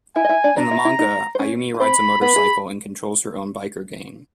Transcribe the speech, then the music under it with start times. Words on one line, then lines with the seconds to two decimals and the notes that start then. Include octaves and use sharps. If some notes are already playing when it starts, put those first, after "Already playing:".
In the manga, Ayumi rides a motorcycle and controls her own biker gang.
0.16 E4 E5 G#5
0.24 D#5
0.29 E4 E5
0.44 D4 D5
0.57 D4 D5 A#5
0.71 E4 E5
0.85 E4 E5
0.99 D#4 D#5
1.35 C5
1.39 C#4 C#5
1.74 B4
1.80 C4 C5 B5
2.21 B3 B4 B5
2.36 G#4